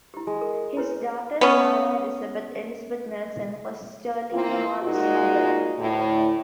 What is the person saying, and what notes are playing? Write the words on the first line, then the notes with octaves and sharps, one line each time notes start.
His daughter, Sarah Elizabeth "Elizabeth" Nelson, was Sterling North's mother.
E4 G4
G#3
A#4
E4 B4 C#5
B3 C#4
E3 A#3 C4 F4
A#2 G#3 D#4 F4 F#4
D2 A2